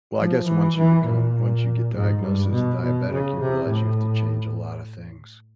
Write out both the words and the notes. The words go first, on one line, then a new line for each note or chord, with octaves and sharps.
Well, I guess once you become once you get diagnosed as a diabetic, you realize you have to change a lotta things.
F3
E3
E3
A#2
G#2
G2
B2
B2
C#3
C3
A2